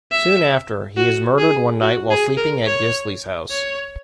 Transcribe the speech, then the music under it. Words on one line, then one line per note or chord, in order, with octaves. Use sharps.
Soon after, he is murdered one night while sleeping at Gisli's house.
E5
F#4
G#4
F#4
G#4
A#4
C#5
C#5